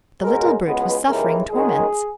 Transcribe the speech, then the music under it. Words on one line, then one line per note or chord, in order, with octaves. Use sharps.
The little brute was suffering torments.
C#2 B2 G#3 A#4
C#2 B2 G#3 B3
D#2 C#3 E3 G#3 A#4
F#2 D#3 G#3 G#4